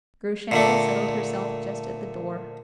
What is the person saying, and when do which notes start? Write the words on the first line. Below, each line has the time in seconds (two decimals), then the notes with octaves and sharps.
Grushenka settled herself just at the door.
0.51 A#2 D3 A3